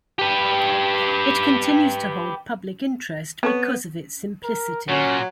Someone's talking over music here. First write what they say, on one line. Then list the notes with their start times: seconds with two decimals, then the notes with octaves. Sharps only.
It continues to hold public interest because of its simplicity.
0.19 G4 B4
3.43 B3 C4 A4 C#5
4.44 A#4
4.89 A#2 F#3 C#4